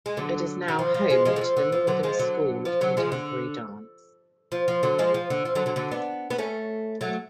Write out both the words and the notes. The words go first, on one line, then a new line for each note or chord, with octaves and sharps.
It is now home to the Northern School of Contemporary Dance.
G#3
D3 F#3
F#3
F3
F3
F3 G#3
F3 G#3
D3
F3
D3
F3
D3 F#3
F3 G#3
D3 F#3
F3
D3 F#3
F3 G#3
D3
F3
F3
D3 F#3
F3 G#3
F3
D3
F3
D3 F#3
D3 F#3
D3 F#3
B3 D4
B3
A3 C#4
F#3 A3